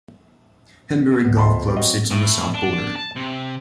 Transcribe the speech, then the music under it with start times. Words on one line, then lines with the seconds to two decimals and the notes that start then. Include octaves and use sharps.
Henbury Golf Club sits on the south border.
1.25 D2 B3
1.37 F2 A5 B5 C6
1.77 F#3 C4 F#4 D#5
2.10 A2
2.54 D4
2.96 A5
3.16 C3